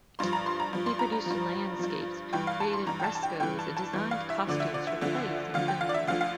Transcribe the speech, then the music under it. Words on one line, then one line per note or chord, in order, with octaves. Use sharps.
He produced landscapes, created frescoes and designed costumes for plays and films.
G2 F3 C6
A#5
C6
A#5
G2 F3
C6
A#5
A#5
G2 F3
G2 F3
G2 E3 G5
F5
A5
C6
G2 E3 A#5
G5
A5
A5
G5
G2 E3 G5
A5
A5
G2 E3
F5
E5
D2 D3 F3 D5
E5
D5
E5
D2 D3 F3
D2 D3 F3 F5
G5
F5
D5
E5
D2 D3 F3 F5
F5